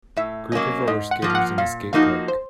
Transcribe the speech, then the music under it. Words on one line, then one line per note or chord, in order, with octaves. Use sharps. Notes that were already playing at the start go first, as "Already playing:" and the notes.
Group of rollerskaters in a skate park.
A2 E5
F#3 A#3 C#4 D#5
G#2 D#5
F#5
F3 A#3
F5
F#5
A#2 F5
F3 A#3 D#4 F#4 F5
C5